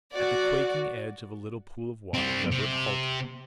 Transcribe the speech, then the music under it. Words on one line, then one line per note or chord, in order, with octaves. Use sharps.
At the quaking edge of a little pool of water, Leverett halted.
F#4 D5
G3 C4
C3